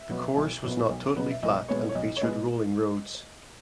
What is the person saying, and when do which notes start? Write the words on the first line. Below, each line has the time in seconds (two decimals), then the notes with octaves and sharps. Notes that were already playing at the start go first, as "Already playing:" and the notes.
The course was not totally flat and featured rolling roads.
Already playing: E5
0.10 B2 F#3 B3
0.37 B1
0.63 B2 F#3 B3
0.90 B1
1.16 B2 F#3 B3
1.31 E5
1.43 B1 D#5
1.68 B2 G#3 B3 C#5
1.89 C#5
1.95 B1 D#5
2.17 C#5
2.21 B2 G#3 B3 D#5